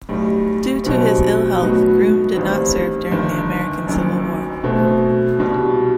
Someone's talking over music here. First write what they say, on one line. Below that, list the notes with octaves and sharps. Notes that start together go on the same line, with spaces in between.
Due to his ill health, Groome did not serve during the American Civil War.
B1 A2 G3
B1 B2 G3 C4
A2 F#3 B3 D#4 F#4
A1 G2 D#3 G3 C4
G1 G2 D#3
F#1 F#2 D#3
B2 A3 C4
C2 B2 G3